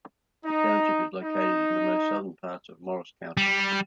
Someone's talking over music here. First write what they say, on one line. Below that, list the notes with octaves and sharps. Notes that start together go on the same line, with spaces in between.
The township is located in the most southern part of Morris County.
D#4
D#4
G3